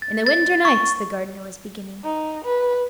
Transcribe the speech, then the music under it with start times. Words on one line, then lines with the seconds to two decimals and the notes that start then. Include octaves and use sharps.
"In the winter-nights--" the Gardener was beginning.
0.02 A6
0.27 A6
0.65 C#6
2.04 D#4
2.45 B4